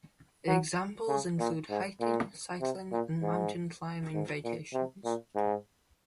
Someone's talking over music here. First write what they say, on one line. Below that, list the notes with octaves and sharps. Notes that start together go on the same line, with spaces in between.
Examples include hiking, cycling, and mountain climbing vacations.
F#3
C#3
A#2
G#2
A#2
C3
A#2
G#2
G#2
A#2
C3
A#2
G#2